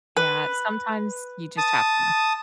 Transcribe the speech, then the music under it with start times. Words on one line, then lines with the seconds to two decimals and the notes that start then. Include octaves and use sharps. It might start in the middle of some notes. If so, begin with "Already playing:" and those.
Yeah, sometimes you just have to.
0.17 B4
1.58 A5 D#6